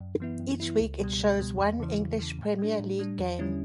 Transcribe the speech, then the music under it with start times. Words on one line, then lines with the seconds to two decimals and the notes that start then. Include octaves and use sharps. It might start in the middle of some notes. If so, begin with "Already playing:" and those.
Each week it shows one English Premier League game.
0.01 F#2
0.20 E3 B3 E4
0.40 F#2
0.60 E3 B3 E4
0.80 C#2
1.00 B2 G3
1.19 C#2
1.40 B2 G3
1.59 E2
1.80 C#3 E3
1.99 E2
2.19 C#3 E3
2.39 A2
2.58 G3 D4
2.79 A2
2.99 G3 D4
3.19 E2
3.39 D3 G3 C#4 E4